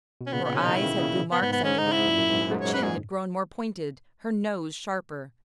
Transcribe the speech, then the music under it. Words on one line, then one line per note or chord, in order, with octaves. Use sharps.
Her eyes had blue marks under them, her chin had grown more pointed, her nose sharper.
B2
C#4
A#2 C#3 B3
B3
B2 D#3 C#4
D#4
D#3
C#3 E3 E4
A#2 C#3
B3
G#2 B3
B3
G#2 C#4
D#4
G#2
E4
F#2 A#2
F#2
G#2
F#2
G#2
G#2 C#5
B4
A#2 G#4